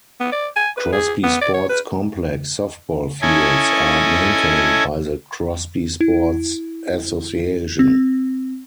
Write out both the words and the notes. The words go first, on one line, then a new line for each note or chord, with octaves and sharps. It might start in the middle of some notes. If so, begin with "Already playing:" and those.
Crosby Sports Complex softball fields are maintained by the Crosby Sports Association.
B3
D5
G#5
B4
G#4
B3
D5
C#5
B4
C#4 E4 A4 D#5 G#5
E4
C4